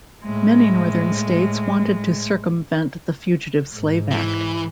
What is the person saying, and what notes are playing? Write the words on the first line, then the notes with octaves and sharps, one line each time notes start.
Many Northern states wanted to circumvent the Fugitive Slave Act.
A2 G#3
G#2
E3